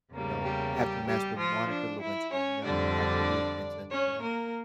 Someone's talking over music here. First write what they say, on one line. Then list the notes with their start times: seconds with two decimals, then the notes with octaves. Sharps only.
you know, have to mess with Monica Lewinsky, you know, when he had Hillary Clinton, you know?
0.13 E2 C#3 G3 A#3
0.44 G3 G4
0.75 G3 G4
1.07 G3 G4
1.38 F3 F4
1.70 D4
2.02 E4
2.33 C#4 C#5
2.64 F2 D3 G3 D4 D5
3.91 C#4 C#5
4.22 A#3 A#4